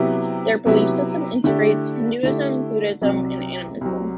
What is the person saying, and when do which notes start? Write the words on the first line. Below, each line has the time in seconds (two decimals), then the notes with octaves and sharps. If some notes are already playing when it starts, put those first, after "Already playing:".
Their belief system integrates Hinduism, Buddhism and animism.
Already playing: C3 F#3 B3 E4 G4
0.65 C3 F#3 B3 E4 G4
1.44 D3 A3 E4 G4
2.23 D3 A3 E4 G4
3.02 C2 C3 F#3
3.81 C2 C3 F#3